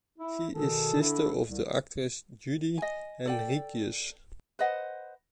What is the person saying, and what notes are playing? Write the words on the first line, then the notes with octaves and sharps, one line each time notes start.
She is sister of the actress Judy Henríquez.
E4
B2 D#3 G#4 A4
D3 D4 E4
C2
D#5 G#5
A4 D5 G5
B4 C5 D#5 F#5